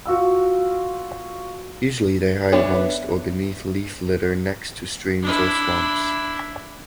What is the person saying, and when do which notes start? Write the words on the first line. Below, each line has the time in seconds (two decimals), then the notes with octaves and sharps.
Usually they hide amongst or beneath leaf litter next to streams or swamps.
0.06 F4 F#4 F5 E6
2.52 B3 D4 E4 B4 C#5
5.22 D4 E4